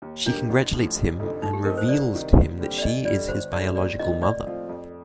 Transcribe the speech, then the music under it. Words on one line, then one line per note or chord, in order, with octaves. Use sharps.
She congratulates him and reveals to him that she is his biological mother.
D#2
D#3 A#3 D4 D#4 G4
A1
A2 F3
F1
F2 D3 A3 D#4
A2 D#4
G4
F3 C4 D#4 A#4
C5
C2 D5
C3 D#3
D#2
D3 G3 C4 G4
D5
D2 D#5
D3 G3 D5
G1 C5
G2 D3 A3 D5
D#2 D5
D#3 A3 C4 D#5
A2 D5
F3 C4 F4
F2